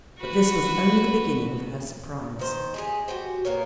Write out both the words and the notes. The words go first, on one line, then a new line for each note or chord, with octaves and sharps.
But this was only the beginning of her surprise.
F#4 B4
D#3 C5
G#3 G4 G#4
F#4 G4 C5
A#3 B3 A#4 C#5